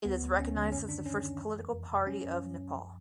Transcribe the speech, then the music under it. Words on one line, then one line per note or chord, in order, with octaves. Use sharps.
It is recognised as the first political party of Nepal.
D2 B3
D2
D2 C#4
D3
F#2 C#4
D#3 D4
D#3 C#4
F#2
E3
F2
F2
C3
F#3 C#4
F#2
F#3
F#2
F3